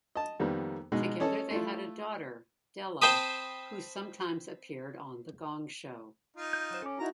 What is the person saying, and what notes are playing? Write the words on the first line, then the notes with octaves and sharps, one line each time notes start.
Together they had a daughter, Della, who sometimes appeared on "The Gong Show".
D#5 A5
F2 D#3 G3 A#3 B3
B2 G#3 D#4
C#4 A4 D#5 A5
A3 E4 F4
C4 C5 G5 A5 B5 D#6
D#4 F4
G6
F#3 C5
C#4 A4 D6
D#4 E4 F#4 A#4 A5 A#5